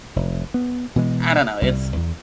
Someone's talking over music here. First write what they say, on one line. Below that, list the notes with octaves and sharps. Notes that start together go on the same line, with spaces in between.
I don't know. It's
F1
B3
B2 E3 G#3
C2 G3
E2